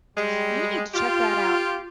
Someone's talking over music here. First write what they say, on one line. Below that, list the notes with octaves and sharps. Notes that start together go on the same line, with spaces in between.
You need to check that out.
G3 G#3
F4 G4